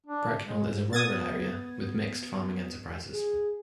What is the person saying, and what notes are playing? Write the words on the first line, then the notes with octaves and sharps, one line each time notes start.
Bracknell is a rural area with mixed farming enterprises.
D4
G#3
B3 D#6 G#6 A6
G#4